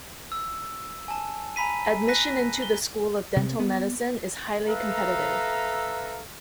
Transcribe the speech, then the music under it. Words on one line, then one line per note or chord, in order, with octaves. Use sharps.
Admission into the School of Dental Medicine is highly competitive.
E6
G#5 A5
G#5 A#5 B5 B6 D#7
F#6 A#6 B6 D#7
G7
C3
B3
A4 B4 E5 F5 A#5